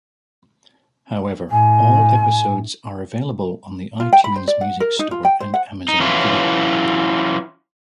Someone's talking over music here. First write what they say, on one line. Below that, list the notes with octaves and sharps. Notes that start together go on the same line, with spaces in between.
However, all episodes are available on the iTunes Music Store and Amazon Video.
A2 G#5
F4
G5
B5
C5
D5
F#5
A#4
D#4
F4
G5
C5
F#5
D#4
E3 F#3 C#4 E4 F4